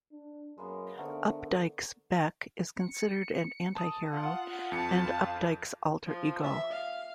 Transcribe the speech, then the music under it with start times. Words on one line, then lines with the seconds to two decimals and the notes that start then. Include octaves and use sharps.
Updike's Bech is considered an antihero, and Updike's alter-ego.
0.12 D4
0.58 F#2 G#3 A#3 B3
0.98 D3 A3 B3 D#4 A#4 C5 E5 F#5
2.79 C#7
3.75 A5 D#6
4.13 F4 F#5
4.72 F2 A5 C#7
6.06 F3
6.43 E5
6.72 F5